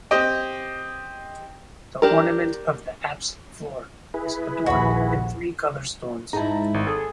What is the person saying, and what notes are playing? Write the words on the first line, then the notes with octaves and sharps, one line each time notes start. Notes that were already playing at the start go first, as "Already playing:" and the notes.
The ornament of the apse floor is adorned in three color stones.
C4 G4 C5 D#5 G5
D4 G4 A#4
E4 G#4 B4
A#1 D#2 F#4 B5
G#2 D#4 E4 A5 A#5
G#1
G#4 A4